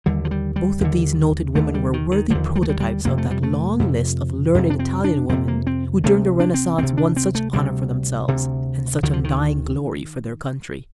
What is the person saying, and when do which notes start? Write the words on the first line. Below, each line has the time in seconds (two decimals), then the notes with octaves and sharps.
Both of these noted women were worthy prototypes of that long list of learned Italian women who, during the Renaissance, won such honor for themselves and such undying glory for their country.
0.06 D#2 D3 G3
0.25 F3
0.31 G3
0.56 G3
0.81 D#2 D3
1.55 D#2 D3 A3
1.74 G3
1.93 D#3
2.12 D#3
2.30 D#2 D3 F3
2.56 G3
2.63 A3
2.69 G3
2.80 G3
3.05 F2 C3 A#3
3.18 A3
3.31 G3
3.43 A3
3.80 F2 C3
4.55 F2 C3
4.70 D4
4.79 C4
5.04 D4
5.29 F2 C3 C4
5.48 A#3
5.67 C4
6.04 D2 C3 A3
6.40 D4
6.54 C4
6.78 D2 C3 C4
6.97 D4
7.16 C4
7.35 A3
7.53 D2 C3 G3
8.28 D2 C3
9.03 D2 D3 D#3
9.13 F3
9.24 D#3